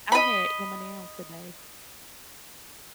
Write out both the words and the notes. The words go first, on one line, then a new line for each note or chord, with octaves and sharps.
I had M&M's today.
D#5 B5